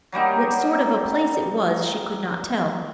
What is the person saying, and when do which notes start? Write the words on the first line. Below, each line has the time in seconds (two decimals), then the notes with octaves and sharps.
What sort of a place it was she could not tell.
0.12 F#3 G3 A#3 D#4